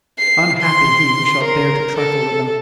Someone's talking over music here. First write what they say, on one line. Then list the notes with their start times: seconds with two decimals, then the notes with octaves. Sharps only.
Unhappy he who shall dare to trifle with them!
0.19 C7
0.62 C6
1.44 A#4
1.97 A4